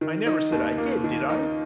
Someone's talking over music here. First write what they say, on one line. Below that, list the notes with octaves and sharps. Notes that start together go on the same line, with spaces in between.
I never said I did, did I?
D#3
D#4
D#2
A#3
D#3
D#4